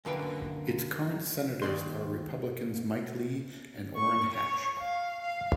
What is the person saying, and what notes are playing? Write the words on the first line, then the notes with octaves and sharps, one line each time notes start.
Its current senators are Republicans Mike Lee and Orrin Hatch.
F#2 D3 A#3 B4 G5
D#2 F#3 D5 C6
C#6
C#5
F5
F5